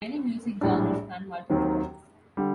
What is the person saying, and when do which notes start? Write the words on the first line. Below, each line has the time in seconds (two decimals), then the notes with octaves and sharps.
Many music genres span multiple tribes.
0.61 A#1 A2 G3 D4
1.50 D#2 D#3 F#3 C4
2.37 D3 G3